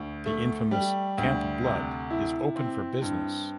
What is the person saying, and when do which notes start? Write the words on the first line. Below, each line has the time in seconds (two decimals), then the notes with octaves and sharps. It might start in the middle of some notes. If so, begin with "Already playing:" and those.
The infamous Camp Blood is open for business!
Already playing: D2
0.26 A3
0.71 G3
1.18 D2
1.64 C3
2.10 E4
2.56 C4
3.02 G2